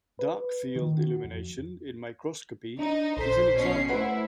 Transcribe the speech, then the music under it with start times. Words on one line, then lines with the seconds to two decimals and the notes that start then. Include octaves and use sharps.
Dark-field illumination in microscopy is an example.
0.19 B4
0.76 D#3
0.98 F#4
1.24 F2
2.79 D4 D#4
3.17 A#1 A4 C5 B6
3.54 B2 C#4 C7
3.89 A3 E4 B4 C5 F#5